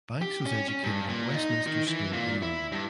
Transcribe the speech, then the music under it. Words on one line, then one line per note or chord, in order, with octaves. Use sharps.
Banks was educated at Westminster School in London.
G4
C#4
C#4
G2
A#2
D#4
D#3
E3
A#2
E4
G2